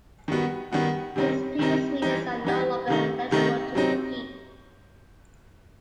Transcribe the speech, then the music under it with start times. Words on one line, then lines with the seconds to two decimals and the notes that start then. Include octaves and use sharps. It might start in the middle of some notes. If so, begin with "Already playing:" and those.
These previous winners are no longer eligible to compete.
0.28 D#3 G3 B3 F#4
0.72 D#3 G3 B3 F#4
1.16 C3 D#3 G3 C4 D#4
1.59 C3 D#3 G3 C4 D#4
2.02 E3 G3 D#4 G4
2.45 E3 G3 D#4 G4
2.88 C3 D#3 A3 D#4
3.31 C3 D#3 A3 D#4
3.75 C3 F#3 C4 D#4